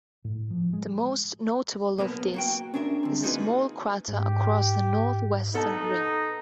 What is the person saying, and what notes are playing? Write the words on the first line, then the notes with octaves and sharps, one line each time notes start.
The most notable of these is a small crater across the northwestern rim.
A2
F3
G#3
B1 B2 A#3 B3
A#3 F#4 G5
C#4 D4 G#4 A#4 E5
D3 C4
A#3 D#4 F4 F#4 G#4 B4
G#2 G4
B3 D#4 A4 A5